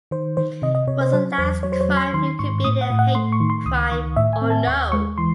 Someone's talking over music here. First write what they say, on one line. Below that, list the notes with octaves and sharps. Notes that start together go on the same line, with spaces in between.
Was the last crime you committed a hate crime, or no?
D#3 C5
D#3 C5
C3 D#5
D#5
C3 C#5
C5
F#3 C5
E2 C5
F#3 C#5
C5
C#5
F#3
C6
D#3 C6
G#2 C#6
A2 D#6
F#5
A2
F#5
A3 C6
C#6
D#3
C6
C#2 D#6
D#3 C#6
A2 E5
G#5
C4
A5
D#2 C#6
G#3 C#6
E3 C6